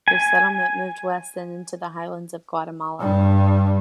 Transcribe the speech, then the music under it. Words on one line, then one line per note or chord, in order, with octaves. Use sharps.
Their settlement moved west and into the highlands of Guatemala.
G#5
G2 G3